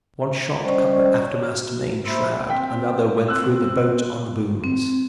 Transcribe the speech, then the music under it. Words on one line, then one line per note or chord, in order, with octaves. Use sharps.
One shot cut the aftermost main-shroud; another went through the boat on the booms.
G3 C#4 C5 D5 D#5 C#6
C#5
F#4
A#3 C5 E5 B5 C6 E6
C4 G5 B6
C4 E6 F#6
C4